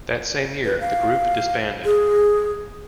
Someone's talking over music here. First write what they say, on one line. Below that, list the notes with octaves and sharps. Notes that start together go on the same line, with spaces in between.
That same year, the group disbanded.
B4
F5
G#4